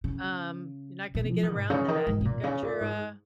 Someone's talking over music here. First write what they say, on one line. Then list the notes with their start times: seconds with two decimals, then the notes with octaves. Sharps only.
um, you're not gonna get around that, and you've got your, uh
0.04 C#3
1.15 A#2
1.29 F3
1.43 D#3
1.56 G#2
1.70 C#3
1.88 D#3
2.07 G#2
2.21 C#3
2.25 A#2
2.43 C#3
2.62 A#2
2.81 G#2